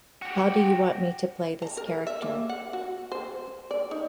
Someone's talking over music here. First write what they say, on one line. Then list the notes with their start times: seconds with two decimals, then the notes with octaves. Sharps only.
How do you want me to play this character?
0.22 F#4 G4
1.62 A#5
1.77 A#4
2.07 E5
2.22 A#3
2.49 F#5
2.73 F#4
3.12 C5
3.71 D5
3.91 D#4